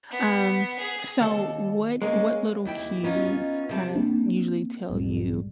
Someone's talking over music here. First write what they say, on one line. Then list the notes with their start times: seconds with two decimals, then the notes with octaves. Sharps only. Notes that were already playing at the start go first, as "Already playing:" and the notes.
Um, so what what little cues kinda usually tell you
0.10 B3
0.80 G#4
1.21 D#2 A4
2.02 G#3 A#3 C#4
2.65 D#2 E4 G5
3.03 B3 C#4 D#4 F4
3.69 C3 G3 A5
3.95 A#3 C4 D4
4.89 E1 B1 G#2 G3